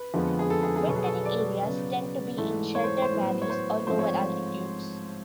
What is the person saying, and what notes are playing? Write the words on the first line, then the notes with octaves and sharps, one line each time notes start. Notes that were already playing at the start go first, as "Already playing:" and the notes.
Wintering areas tend to be in sheltered valleys or lower altitudes.
Already playing: B4
F2 D3 F3 G#3 B3
G#4
A4
G#4
G#4
B2 F#3 B3 A4
G#4
A4
D5
C#3 F#3 B3
G#2 E3 A3
C#5
C5
C5
A2 F#3 B3
C#5
C5
G#2 F3 A3 C4 C5
C#5